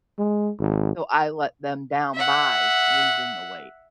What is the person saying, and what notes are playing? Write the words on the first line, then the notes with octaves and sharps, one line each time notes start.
so I let them down by losing the weight.
G#3
G#1
E5 F#5